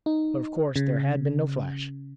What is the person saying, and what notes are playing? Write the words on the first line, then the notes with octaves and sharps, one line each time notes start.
But of course there had been no flash.
D#4
C#3